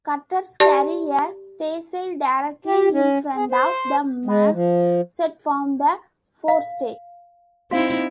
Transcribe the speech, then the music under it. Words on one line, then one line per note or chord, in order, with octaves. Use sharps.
Cutters carry a staysail directly in front of the mast, set from the forestay.
G4 D5 A5
G4
C#4
G#4
C5
G#3
F3
F5
C4 D#4 E4 F#4 F5